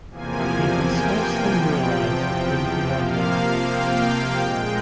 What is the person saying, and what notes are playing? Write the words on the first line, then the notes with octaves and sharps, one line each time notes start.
He could scarcely realise the thing he had done.
E2 C3 F3 A#3 G#5
G5
E2 C3 F3
C3 F3 A#3 F5
G5
A#2 G#3